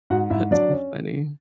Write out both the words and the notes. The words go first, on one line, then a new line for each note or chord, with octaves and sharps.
That's so funny.
G#2 F#4 F#5
G#2 E4 E5
F#3 D4 D5
C#4